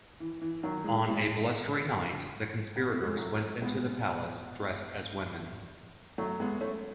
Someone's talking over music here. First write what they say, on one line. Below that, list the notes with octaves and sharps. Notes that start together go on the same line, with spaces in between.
On a blustery night, the conspirators went into the palace dressed as women.
E3
E3
D#3 F#3
E3 G#3
E3 G#3
B3
A3
G#3
F#3 A3
G#3 B3
F#3 A3
G#3 B3
A3 C#4